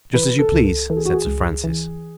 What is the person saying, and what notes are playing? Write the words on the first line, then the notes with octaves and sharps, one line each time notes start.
"Just as you please," said Sir Francis.
E3 B4
A4
C#2
A4
E3 A4
G#4
F#4
G#4
C#2
E3